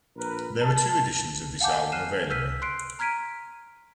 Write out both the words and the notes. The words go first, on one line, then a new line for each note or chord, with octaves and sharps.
There were two editions of this album available.
A#1 A#4 B4
A5
F5 F#5 G#5 A5 D6 G6
F6 F#6 C7 D#7 E7
E6 F6 G6 B6 D#7
C6 F#6 C7 D7
A#5 F6 G#6 B6 D7 D#7